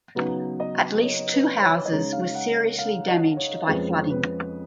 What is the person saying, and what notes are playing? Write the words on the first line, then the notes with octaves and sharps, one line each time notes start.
At least two houses were seriously damaged by flooding.
C#3 F#3 B3 D#4 B4
D#5
C#5
B4
C#5
D#5
C#3 G#3 D#4 C#5
F5
F#5
F5
D#5
C#5
F2 F3 G#3 C#4 B4
B4